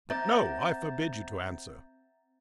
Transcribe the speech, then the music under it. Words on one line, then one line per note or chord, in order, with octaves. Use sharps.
But no. I forbid you to answer.
C4 E5 A#5 G6 A6